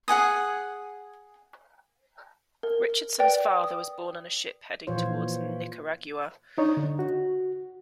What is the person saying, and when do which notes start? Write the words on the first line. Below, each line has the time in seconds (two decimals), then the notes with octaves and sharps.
Richardson's father was born on a ship heading towards Nicaragua.
0.08 G#4 F#5 G#5 D#6
2.63 A#4
3.19 B4 D5 G5
3.64 D#6
4.87 A#2 E3 F3 F4 C5 C#5
6.58 D4 D#4 C#5
6.77 D3
6.99 F#4